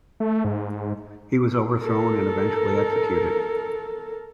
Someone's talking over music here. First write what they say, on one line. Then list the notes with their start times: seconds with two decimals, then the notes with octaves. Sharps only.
He was overthrown and eventually executed.
0.20 A3
0.45 G#2
1.79 A4 A#4